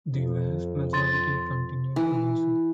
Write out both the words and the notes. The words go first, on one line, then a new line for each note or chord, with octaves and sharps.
The vast majority continued to do so.
F2
C6 A6
E3